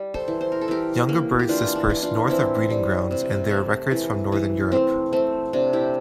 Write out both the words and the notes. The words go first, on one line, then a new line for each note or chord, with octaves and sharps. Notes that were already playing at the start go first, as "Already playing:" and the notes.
Younger birds disperse north of breeding grounds and there are records from Northern Europe.
Already playing: G3
A4 C5
E3
C5
A#4
A4
E3 G4 A#4
A#3
G4
E3 D4 F4
D4
E3
D4 F4
E3 C4 E4
G3
C3
A3
E3
E3
A3 C4
A3 C4
C3 D4
E4 G4